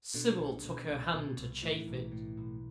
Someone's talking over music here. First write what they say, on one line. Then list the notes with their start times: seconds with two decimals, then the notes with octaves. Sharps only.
Sybil took her hand to chafe it.
0.14 B2 D3
0.39 C2
0.64 B2
0.89 C2
1.14 B2
1.38 C2
1.63 A2 E3
1.88 B1
2.12 A2
2.37 B1